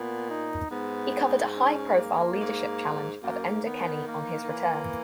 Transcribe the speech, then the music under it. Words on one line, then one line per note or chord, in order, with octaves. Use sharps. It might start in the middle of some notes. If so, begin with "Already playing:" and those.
He covered a high-profile leadership challenge of Enda Kenny on his return.
Already playing: A#2 B3
D#4
G#2 B3
C#4
A#3
F#2
G#2
F#2 A#3
G#2
D#3 B3
A#3
D#3
E3